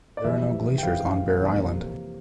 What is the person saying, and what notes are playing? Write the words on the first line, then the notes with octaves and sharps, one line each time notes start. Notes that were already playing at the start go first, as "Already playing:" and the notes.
There are no glaciers on Bear Island.
D5
F2 E3 G3 E5
G5
F2 E3 G3 F5
F2 C3 E3 G3 A#3